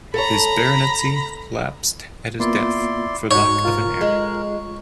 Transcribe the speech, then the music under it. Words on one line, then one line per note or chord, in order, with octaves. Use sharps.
His baronetcy lapsed at his death for lack of an heir.
A4 C#5 A#5 B5
A#3 B3 E4 F4 D5 C6
G#2 D#4 F#4 C#5
F4 A#4
G#3